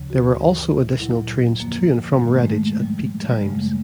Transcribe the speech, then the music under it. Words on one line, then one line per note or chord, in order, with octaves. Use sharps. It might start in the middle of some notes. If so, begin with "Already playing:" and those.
There were also additional trains to and from Redditch at peak times.
Already playing: D2 C#3 F3
F#4
G2 E3 G3
A#2 F#3 E4
F2 D3 F3 A#3
G#2 D#3 G3 A#3
A3
G#3
A3
A2 F3 G3
G3
F#2 C#3 F#3 G#3
A3